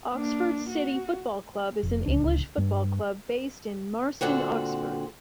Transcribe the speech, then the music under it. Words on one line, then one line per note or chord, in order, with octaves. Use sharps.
Oxford City Football Club is an English football club based in Marston, Oxford.
A#3 D4
F#4
F1
D1 C#2 D4
G2
A#2 D3 C4 F#4